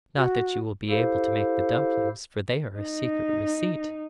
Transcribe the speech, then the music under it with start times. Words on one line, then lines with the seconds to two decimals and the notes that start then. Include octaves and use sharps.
Not that you will be able to make the dumplings, for they are a secret receipt.'
0.16 F#4
0.89 E4 G4 A4 C5 F5
2.79 D#4